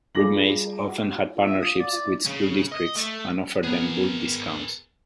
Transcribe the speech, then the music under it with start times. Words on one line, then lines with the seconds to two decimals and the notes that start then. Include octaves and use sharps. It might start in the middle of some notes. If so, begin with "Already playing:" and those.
Brook Mays often had partnerships with school districts, and offered them bulk discounts.
0.15 G3 F4 G#4 D6 A#6 F#7
1.46 E5
1.62 D#6
1.79 D5
2.27 C#3
2.72 D#5
2.96 A3
3.64 B3 G#4 A#4